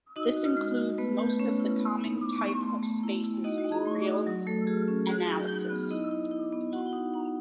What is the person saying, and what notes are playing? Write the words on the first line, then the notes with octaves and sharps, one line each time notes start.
This includes most of the common type of spaces in real analysis.
D#4 F#4 D#5
F#4
G#3
F#4
A3 B3 B4
A3
A3 C#4 C#5
E4
B3
D#4
B3
B3
A3
A3
E4
E4
D#4 F#4 D#5
F#4
D#4
G#4
A3
F#4
F#3
F#3 A3 A4
F#4 G#4
C#4
F#4 G#4
F#3
D#4
B3
D#4 E4 D#5
E4
E4
B3
F#4 F#5
D#4
D#4